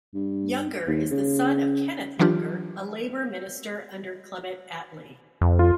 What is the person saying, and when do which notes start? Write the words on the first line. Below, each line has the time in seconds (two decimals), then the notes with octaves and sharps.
Younger is the son of Kenneth Younger, a Labour Minister under Clement Attlee.
0.14 G2
0.87 D#2
1.11 C#3
2.19 E3 F#3 D4 F4 G4
5.41 F2
5.59 F4